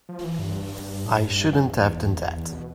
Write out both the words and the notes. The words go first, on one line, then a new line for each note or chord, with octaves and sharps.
I shouldn't have done that.
F3
E3
G2
A2
G2
G2
F2
E2
E2
E2
B2